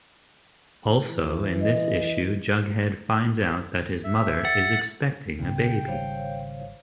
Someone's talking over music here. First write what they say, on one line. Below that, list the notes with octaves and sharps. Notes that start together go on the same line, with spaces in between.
Also, in this issue Jughead finds out that his mother is expecting a baby.
E3
D#5
E5
F#5 A6
C#2 G#2 C#3 B3 G5
G#1 G3 C5 C#5 F5